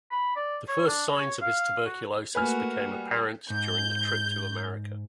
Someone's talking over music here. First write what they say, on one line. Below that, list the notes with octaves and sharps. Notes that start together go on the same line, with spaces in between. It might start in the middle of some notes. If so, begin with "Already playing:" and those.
The first signs of his tuberculosis became apparent during the trip to America.
B5
D5
C#5
D4
C#5
F5
F#4
A3 A#3 F#4 B4 G#5 F6
G3
G#2 G6